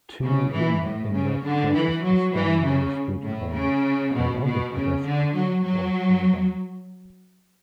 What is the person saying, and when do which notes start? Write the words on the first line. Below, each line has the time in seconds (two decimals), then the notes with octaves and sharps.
Two women in red dresses are standing on a street corner while other pedestrians walk nearby.
0.22 C#3
0.51 E3
0.82 A2
1.12 C#3
1.43 D3
1.72 E3
2.02 F#3
2.32 E3
2.63 C#3
3.23 A2
3.53 C#3
4.13 B2
4.44 B2
4.73 C#3
5.04 D3
5.33 F#3
5.64 F#3